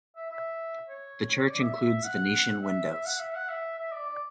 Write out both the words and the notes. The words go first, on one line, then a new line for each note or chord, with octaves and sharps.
The church includes Venetian windows.
E5
E5
C#5
C#5
D5
E5
E5
F#5
E5
E5
F#5
E5
F#5
E5
E5
D5
D5